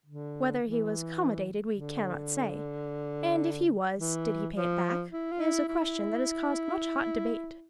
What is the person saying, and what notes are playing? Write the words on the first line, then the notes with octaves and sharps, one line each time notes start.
Whether he was accommodated we can not say; and if he was, did he pay it back, is a question that has caused much hot debate.
D3
E3
D3
E3
F3
E4
F4
E4
E4